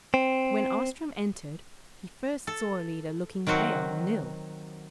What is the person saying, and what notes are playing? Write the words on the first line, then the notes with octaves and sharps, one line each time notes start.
When Ostrom entered he first saw Alida looking pale and ill.
C4
A4
D#3 F#3 C4 F#4